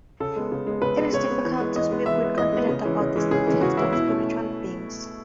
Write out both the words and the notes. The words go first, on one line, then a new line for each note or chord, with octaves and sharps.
It is difficult to speak with confidence about the tastes of spiritual beings.
C#3 A4
G#3 B3
C#3
G#3 B3
C#3 B4
G#3 B3
C#3 C#5
G#3 B3
E3
G#3 B3
E3 D#5
G#3 B3
E3 E5
G#3 B3
E3 D#5
G#3 B3
C#3
E3 G#3 C#4
C#3
E3 G#3 C#4
C#3 G#4
E3 G#3 C#4
C#3 F#4
E3 G#3 C#4 E4
B2 E4
A3 C#4